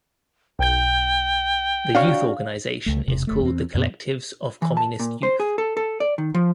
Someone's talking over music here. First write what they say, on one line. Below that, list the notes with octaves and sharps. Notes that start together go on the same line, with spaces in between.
The youth organization is called the Collectives of Communist Youth.
B1 G5 G6
D4 F#4 C#5 F5
C#2 A3
E1 C3
F1 A3
E2 C4
F2 A#2 B3
E3
A5
A#2
C5
G#4
A4
A4
D5
D#3
F3